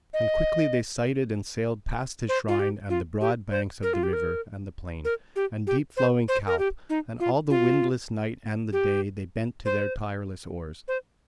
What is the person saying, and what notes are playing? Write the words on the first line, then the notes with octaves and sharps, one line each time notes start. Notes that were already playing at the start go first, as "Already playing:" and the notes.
And quickly they sighted and sailed past his shrine and the broad banks of the river and the plain, and deep-flowing Calpe, and all the windless night and the day they bent to their tireless oars.
D#5
C5
F4
G4
F4
G4
C5
A#4
F4
G4
A#4
A#4
G4
G4
C5
C5
A#4
G4
D#4
F4
F4
G4
C5
C5